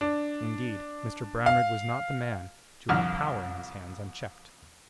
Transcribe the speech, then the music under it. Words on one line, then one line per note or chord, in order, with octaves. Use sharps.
Indeed, Mr Brownrigg was not the man to have power in his hands unchecked.
D4
F5
C2 F2 D3 F6